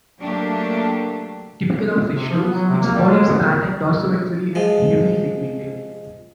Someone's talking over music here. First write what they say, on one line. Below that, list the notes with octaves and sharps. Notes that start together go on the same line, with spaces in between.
Typical of cestodes, its body is flattened dorsoventrally and heavily segmented.
F#3 A3 A#3 D4 G4
C3
F3
B3
F#3
C3
A#3
G3
G#3
B3
D#3
F3 G#3